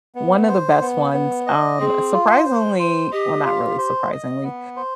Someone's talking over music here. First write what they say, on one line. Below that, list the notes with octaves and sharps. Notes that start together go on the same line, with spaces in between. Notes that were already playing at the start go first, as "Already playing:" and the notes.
one of the best ones. Um, surprisingly well, not really surprisingly,
B3
C5
B3
B3
D#5
C4 G#4
F4
C5
C5
G4 D#5
F4
C5
D#5
B3
C5